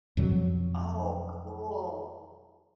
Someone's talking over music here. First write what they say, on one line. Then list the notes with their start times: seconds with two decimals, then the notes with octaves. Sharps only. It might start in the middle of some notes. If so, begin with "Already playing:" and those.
Oh, cool!
0.17 F2 B2 F3 F#3